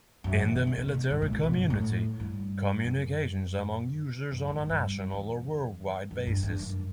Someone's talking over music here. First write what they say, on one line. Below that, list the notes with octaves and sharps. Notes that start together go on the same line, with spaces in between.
In the military community, communications among users on a national or worldwide basis.
F#2
E3
D3
C#3
B2
B2
G2
A2
A2
B2
G2
A2
G2
F#2
F#2
F#2
F#2
G2
E2
F#2
G2
G2
F#2